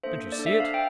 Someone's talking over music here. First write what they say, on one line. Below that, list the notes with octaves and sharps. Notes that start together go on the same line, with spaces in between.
Don't you see it?
A#3 D4 A4 C5 E5
D5
D4 A4
E5
F5
E5 G5